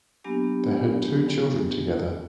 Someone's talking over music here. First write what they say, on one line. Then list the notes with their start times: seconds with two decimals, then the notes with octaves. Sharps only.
They had two children together.
0.24 F#3 A#3 B3 D4 G4 G#5